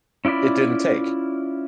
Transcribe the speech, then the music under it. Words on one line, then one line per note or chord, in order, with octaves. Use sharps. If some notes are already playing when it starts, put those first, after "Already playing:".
it didn't take.
C#4 E4 F4 D5 B5